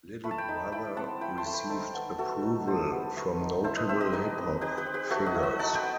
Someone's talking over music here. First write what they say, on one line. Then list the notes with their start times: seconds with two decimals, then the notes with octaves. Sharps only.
Little Brother received approval from notable hip hop figures.
0.24 A3 B5
0.31 A5
0.38 G5 B5
0.49 D#4
0.72 E4 G5 B5
0.96 C4 F#5 A5
1.21 E4 G5 B5
1.38 A5 C6
1.46 A3
1.53 G5 B5
1.69 D#4 A4 C5
1.94 B3
2.18 A3 F#4 A4
2.43 D#4
2.67 E4 A4 C5
2.91 B3
3.16 A3
3.40 D#4
3.64 E4 A4 C5
3.77 B4 D#5
3.89 C4 C5 E5
4.00 B4 D#5
4.13 D#4 G4 B4
4.38 C4
4.61 D#4 G4 B4
4.77 G4 B4
4.86 C4
4.94 G4 B4
5.10 A3 F#4 A4
5.26 D#5 F#5
5.34 E4
5.43 D#5 F#5
5.59 D#4 F#5 A5
5.75 G5 B5
5.83 B3